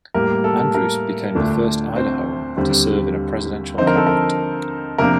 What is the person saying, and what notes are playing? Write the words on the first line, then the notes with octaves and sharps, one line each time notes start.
Andrus became the first Idahoan to serve in a Presidential Cabinet.
A2 G3 A#3 A#4
A4
A#4
D2 D3 A3 D4 F4
C4 C5
D#2 D3 G3 C4
D3 F3 C4 D#4 C5
A#4
A4
A#4
C3 F3 A#3 D4 A#4